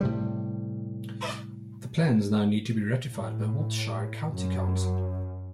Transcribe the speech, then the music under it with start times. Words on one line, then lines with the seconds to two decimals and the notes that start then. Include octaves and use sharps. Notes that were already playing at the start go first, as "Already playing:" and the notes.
The plans now need to be ratified by Wiltshire County Council.
0.01 A2 C3 G3
3.09 A2
4.33 F#2